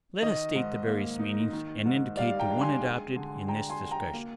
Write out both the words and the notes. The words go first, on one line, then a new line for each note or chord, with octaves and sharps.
Let us state the various meanings and indicate the one adopted in this discussion.
D#3 D#5
G#2
A#3
D#4
D#3
G#2
G3 D5 F5
G5 A#5
D4
G#5 C6
G#3
D3
D4 G5 A#5
G#5 C6
D3
G5 A#5
A#3